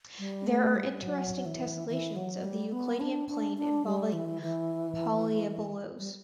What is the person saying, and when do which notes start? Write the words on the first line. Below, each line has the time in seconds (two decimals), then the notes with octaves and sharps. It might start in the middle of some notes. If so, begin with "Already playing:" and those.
There are interesting tessellations of the Euclidean plane involving polyaboloes.
0.19 G3
0.47 A3
0.75 G3
1.03 F#3
1.46 E3
1.88 E3
2.16 F#3
2.44 G3
2.72 B3
3.00 D4
3.29 D4
3.57 D4
3.85 G3
4.13 E3
4.42 E3
5.99 G3